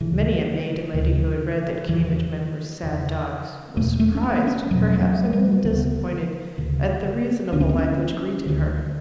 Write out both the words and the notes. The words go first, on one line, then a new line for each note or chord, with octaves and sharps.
Many a maiden lady who had read that Cambridge men were sad dogs, was surprised and perhaps a little disappointed at the reasonable life which greeted her.
D2 C#3 E3
D2 C#3
E2 C#3 E3
E2 C#3
E2 B2 A3
A3
C#4
B3
C#4
E2 B2 F#3
F#3
A3
G3
D2 C#3 B3
D2 C#3
D2 D3 D4
C#4
B3
C#4
D2 D3